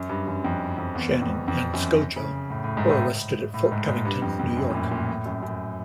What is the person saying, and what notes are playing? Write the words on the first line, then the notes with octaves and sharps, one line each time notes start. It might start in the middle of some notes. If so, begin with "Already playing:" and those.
Shannon and Skojo were arrested at Fort Covington, New York.
Already playing: F#2
G2
F#2
F2
F2
E2
F2
F2
F#2
C#3
A2
A2
G#2
A2
A2
G#2
G#2
G2
F2
F2
F#2
A#2
A2
A#2
A2
F#2
F#2